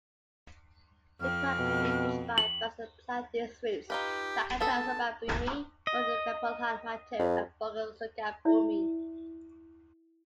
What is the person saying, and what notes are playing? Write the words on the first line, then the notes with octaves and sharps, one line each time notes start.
Cicurug can be reached by buses plying these routes: Jakarta-Sukabumi, Bogor-Pelabuhan Ratu and Bogor-Sukabumi.
F2 C4 F6
B2
F#7
D#4 F4 G4 B4
B3 G#4 A4 A5
D#5
F2
E4 D5 E5